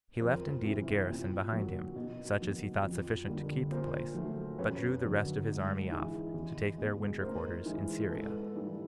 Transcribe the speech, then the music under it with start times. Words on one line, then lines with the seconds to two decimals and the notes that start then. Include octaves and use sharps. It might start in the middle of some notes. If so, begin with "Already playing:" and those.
He left indeed a garrison behind him, such as he thought sufficient to keep the place, but drew the rest of his army off, to take their winter-quarters in Syria.
0.20 F2 A#4 C5
0.64 C3 E3
1.08 A#2
1.52 F#3 A#3
1.96 B2
2.39 F#3 A#3
2.83 F2
3.27 D3 G3 A#3
3.70 A#2 A#4 C5
4.15 F#3 A3
4.58 F#2 B4 C#5
5.02 D3 F#3
5.46 G#2
5.89 E3 G#3
6.34 E2
6.78 B2 G#3
7.21 A2 A#4 C5
7.66 E3 G#3
8.09 G#2 A4 B4
8.53 E3 G3 A#3